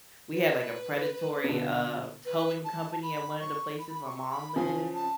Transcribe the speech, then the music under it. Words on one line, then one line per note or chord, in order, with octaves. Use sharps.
we had, like, a predatory, uh, towing company at one of the places my mom lived,
B4
C#3
B2 D3
B4
A5
B5
C#6
B5
B5
C#6
B5
C#3 F3 G#5
A5